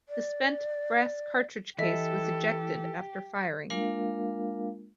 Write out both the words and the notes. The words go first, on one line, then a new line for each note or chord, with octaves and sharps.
The spent brass cartridge case was ejected after firing.
D5
E3 G4 A4 D#5 E5 B6
G#3 A#3 D4 F4 A#4 F5